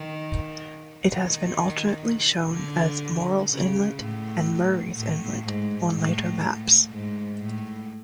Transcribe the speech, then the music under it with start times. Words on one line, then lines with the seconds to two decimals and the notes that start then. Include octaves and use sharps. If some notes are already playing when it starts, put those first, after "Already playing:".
It has been alternately shown as "Morrall's Inlet" and "Murrays Inlet" on later maps.
Already playing: D#3
1.05 D#3
2.52 D3
3.49 C#3
3.98 A2
4.95 A2
5.44 G#2
5.93 A2
6.90 G#2
7.39 A2